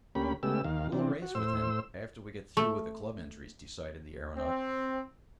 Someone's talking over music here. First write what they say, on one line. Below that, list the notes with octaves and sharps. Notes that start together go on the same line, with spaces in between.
"We'll race with him, after we get through with the club entries," decided the aeronaut.
D2 A#3 C#4 G4 B5
C#3 G#3 A3 B3 G4 E6
D#2 D#3 F5
C3 E3 C4 D4
F#4
A2 C5 E6
A3
C4